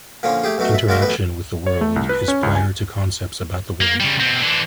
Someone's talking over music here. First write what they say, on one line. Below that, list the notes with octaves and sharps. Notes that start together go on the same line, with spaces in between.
Interaction with the world is prior to concepts about the world.
A#2 D3 F3 C#4
A3 G4 G#4
B1 F#2 B2 A3 F#4
E5
G#3 A#3 F#4 A#4 E5
A1 F#2 B3 B4
C#5
A3
C2
B4
C#4
C#2
G#5
A#3
C#3 G3
B2 C4
E3 D4